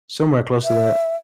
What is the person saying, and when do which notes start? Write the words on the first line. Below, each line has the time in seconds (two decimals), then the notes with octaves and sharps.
somewhere close to that.
0.64 E5